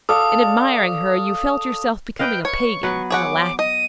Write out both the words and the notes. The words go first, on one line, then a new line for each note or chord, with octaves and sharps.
In admiring her you felt yourself becoming a pagan and a lackey.
A4 D5 F5 D#6
B4 D#5 F5 G5
C#5 C#6
F#3 B3 B4
G#4 C#5 F#5 D6
D#5 D#7